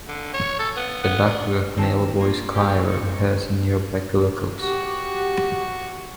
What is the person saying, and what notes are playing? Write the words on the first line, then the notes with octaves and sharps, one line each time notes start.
The Backworth Male Voice Choir rehearse in nearby Cullercoats.
D3
C#5
A4
B3
B3
D4
D#3 C4 A5
A#3 F4
G4 G#4
C4 D#4 C#6
F#4 G4